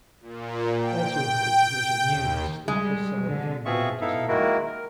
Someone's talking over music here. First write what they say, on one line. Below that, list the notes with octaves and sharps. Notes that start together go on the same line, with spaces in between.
Also included was a new, sleeker side view mirror design.
A#2
G5
D#2
G3 G#3
D3
B2 C4 F4 G#4 E5 C#6
B3 D#4 E4 A4 E5 F5
D#3 G#3 A#3 E4 F#4 A#4
A#4